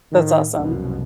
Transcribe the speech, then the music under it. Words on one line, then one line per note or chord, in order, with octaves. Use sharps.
That's awesome.
A2 D#3
F1 C2 F#2 B2